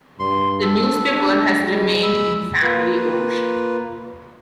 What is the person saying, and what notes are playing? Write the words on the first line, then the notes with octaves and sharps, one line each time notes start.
The newspaper has remained in family ownership.
G2 C6
A4
D4
G3 G#3
B5 E6
A#3 F4 B4